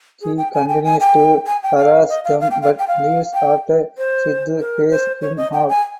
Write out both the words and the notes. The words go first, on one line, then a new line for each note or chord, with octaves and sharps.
He continues to harass them but leaves after Siddhu pays him off.
G#4
G5
G#5
G5
G#5
G5
G#5
G5
F5
D#5
F5
F5
G5
F5
G5
F5
G5
C5
A#4
C5
C#5
D#5
G5
G#5